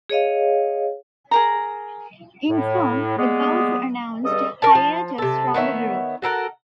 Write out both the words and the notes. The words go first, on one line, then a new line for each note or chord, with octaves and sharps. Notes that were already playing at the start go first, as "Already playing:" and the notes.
In June, The Grouch announced hiatus from the group.
G#4 C#5 D#5 F5
G#4 A#4 A#5
A2
G3 G#3 A#3 B3
E2 G2 G3 A4 D#5 D#6
A#4 G#5 A5
F3
C3 A4
D#3 B3 C#5 E5
F#4 A4 A#4 F#5